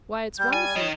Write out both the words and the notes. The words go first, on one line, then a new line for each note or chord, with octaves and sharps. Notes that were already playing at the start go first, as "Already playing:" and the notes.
Why, it's wonderful!
G3 G6
D5 G#5
D#3 C#5 D#5